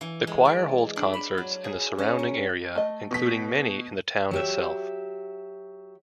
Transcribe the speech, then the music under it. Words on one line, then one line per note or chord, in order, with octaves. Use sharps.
The choir holds concerts in the surrounding area, including many in the town itself.
E3
G#3
D5
D4
B5
F#3
G#4
C#4
A#4
A3 D#5
B2 B6
F#3 G4 E5